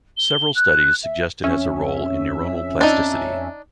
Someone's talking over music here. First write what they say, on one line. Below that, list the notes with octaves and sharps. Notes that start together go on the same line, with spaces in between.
Several studies suggest it has a role in neuronal plasticity.
G7
F#6
E5
F2 C#4 E5
D4 D#4